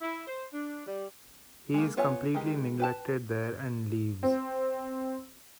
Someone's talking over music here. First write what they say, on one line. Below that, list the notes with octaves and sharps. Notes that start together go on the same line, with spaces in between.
He is completely neglected there and leaves.
E4
C5
D4
G3
G#3 A#3
B3 F4 C#5 E5 G#5
D#3 E3 G#3 G4
B4 G5 A5
C4